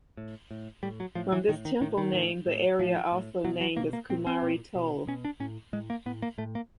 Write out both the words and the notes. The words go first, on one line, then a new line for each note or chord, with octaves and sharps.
From this temple name the area also named as kumari tole.
A2
A2
A2 G3
F#3
A2 F3
E3
A2 D#3
D#3
A2 D#3
D#3
A2
A2
A2 F3
A2
B2 F#3
F#3
B2 A#3
A#3
A#2 C4
C4
A#2
B2
B2 C#4
D4
A2 C#4
A2 G#3
A#3
A2 B3
A#3
A2 A3
A#3